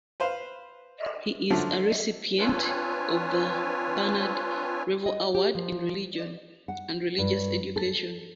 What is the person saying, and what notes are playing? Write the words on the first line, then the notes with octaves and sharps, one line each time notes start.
He is a recipient of the Bernard Revel Award in Religion and Religious Education.
B4 C5 F5
D3 F3 F#3 A3
C4 D4 F4 B4 C#5 G#5
D#5
G4
F3
F#5
G2
A4